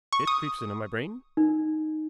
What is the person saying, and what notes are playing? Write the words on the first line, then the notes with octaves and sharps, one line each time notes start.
"It creeps into my brain."
C#6
D#6
D#4